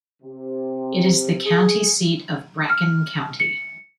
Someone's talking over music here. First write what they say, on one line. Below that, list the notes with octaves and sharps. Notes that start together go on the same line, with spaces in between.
It is the county seat of Bracken County.
C3
G#4
F6
C#7